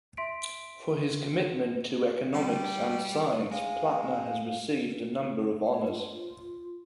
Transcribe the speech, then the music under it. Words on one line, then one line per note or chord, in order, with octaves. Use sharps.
For his commitment to economics and science, Plattner has received a number of honours.
E5 C6 B6 D7
G3
G#3 F5
D#4
C#5
F4